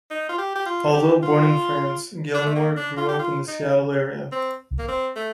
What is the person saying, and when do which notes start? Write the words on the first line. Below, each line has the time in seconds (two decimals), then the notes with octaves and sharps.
Although born in France, Gilmore grew up in the Seattle area.
0.10 D#4
0.29 F4
0.38 G4
0.56 G4
0.66 F4
0.94 G4
1.22 F4
2.34 D4
2.46 A3
2.55 A#3
2.77 D4
2.97 F4
3.09 G4
3.19 F4
3.48 D#4
4.32 C4
4.79 A#3
4.88 C4
5.16 A3